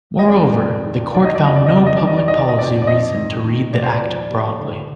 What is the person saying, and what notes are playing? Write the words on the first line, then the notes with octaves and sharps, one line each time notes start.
Moreover, the Court found no public policy reason to read the Act broadly.
D#5
F2 D5
F2
D#3
D#3 D5
D#5
D5
F2 D#5
D5
D#5
F2 D5
D#5
D#3 D5
D#5
D5
D#3 D#5
D5
D#5
F2 D5
D5
F2 D#5
D#3
D#3
D#2 D5
C5
D5
F3
D#2
D3